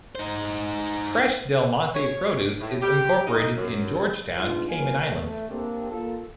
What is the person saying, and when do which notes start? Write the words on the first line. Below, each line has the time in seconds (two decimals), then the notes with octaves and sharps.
Fresh Del Monte Produce is incorporated in George Town, Cayman Islands.
0.15 D#4 C5
1.95 C#5
2.60 A2
2.81 G4
3.26 D#4
3.56 F#2
4.36 G#3 B3 D4 D#4 F4
4.70 E2 E3 F#3 A#3 F5 G#5
5.07 A3
5.49 C3 A#3 C4 D4
5.90 A#3 F4 A4